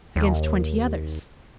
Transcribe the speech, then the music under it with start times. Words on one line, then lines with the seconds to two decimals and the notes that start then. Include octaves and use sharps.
"Against twenty others."
0.16 D#2